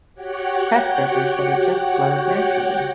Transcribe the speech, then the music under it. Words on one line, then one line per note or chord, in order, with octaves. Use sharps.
Pressburger said it just flowed naturally.
F#4 G4 C#5 F#5 G5